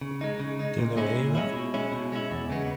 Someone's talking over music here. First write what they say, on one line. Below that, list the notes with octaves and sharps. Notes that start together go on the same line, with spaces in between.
De Loera.
C#3
G#3 D#4
C#3
G#3 D#4
A#2
G#3 C#4 E4
A#2
G#3 C#4 E4
B2
G#3 C#4 E4
B2
G#3 C#4 E4
E2
C#3 G#3 B3